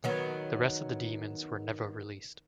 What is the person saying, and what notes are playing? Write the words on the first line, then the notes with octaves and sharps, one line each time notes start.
The rest of the demos were never released.
D#3 F#3 B3